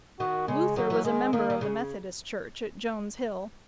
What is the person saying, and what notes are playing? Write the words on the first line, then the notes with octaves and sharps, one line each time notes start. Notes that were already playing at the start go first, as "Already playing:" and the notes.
Luther was a member of the Methodist church at Jones Hill.
D#3 F#4
C#3 G#3
D#3 F#3
E3
D#3 G#3
D#3 A#3
D#3
C#3